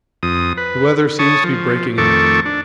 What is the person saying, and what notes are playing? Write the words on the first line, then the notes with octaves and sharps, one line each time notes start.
The weather seems to be breaking up.
F2 D#6
B4
C#5 A5 C#6 D#6
F3
F2 D#3 A3 A4 C#6 D6
D4